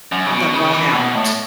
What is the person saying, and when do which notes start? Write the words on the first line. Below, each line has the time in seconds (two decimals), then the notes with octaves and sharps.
the burnout
0.12 F#2
0.26 C#3
0.33 B2
0.54 C#3
0.73 E3
0.94 B2
1.15 A2